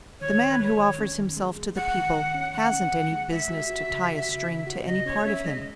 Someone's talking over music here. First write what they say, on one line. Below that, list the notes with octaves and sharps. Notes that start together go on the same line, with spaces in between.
The man who offers himself to the people hasn't any business to tie a string to any part of him.
D#3 C#5
D#3
B4
G#3 C#5
D#3
C#4
D#3
G#3
G#3
G#3 F#5
D#3
D#3
C#4
D#3 F#5
C#4
D#3
G#3
G#3 E5
F#4
F#4
C#3
F#4
C#3
C#3
F#4
C#3 D#5
C#4 C#5
C#4 E5
G#3 D#5